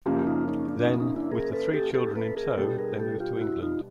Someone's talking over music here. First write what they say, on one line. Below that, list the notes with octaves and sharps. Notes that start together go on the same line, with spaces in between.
Then with the three children in tow, they moved to England.
F#2 C#3 F3 A#3 F4 G4
D#4 F4
C#4 D#4
D4
D4
C#4 D#4
C#4 D#4
D4 E4
G#4 A#4
A4 B4
G4 A4
G4 A4
A4 B4
G#4 A#4
B2 G3 B3 D4 G4 A4
G#4 A#4
G4 A4
F4 G4
F4
E4 F#4
D#4 F4